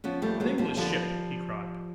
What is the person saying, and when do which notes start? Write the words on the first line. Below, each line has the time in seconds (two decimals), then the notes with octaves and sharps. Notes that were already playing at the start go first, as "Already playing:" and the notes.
"An English ship!" he cried.
0.04 F3 B3 C#4
0.22 D#2 G3 A3
0.40 D#2 F#3 G#3
0.58 D#2 F3 G3
0.77 D3 F3 G3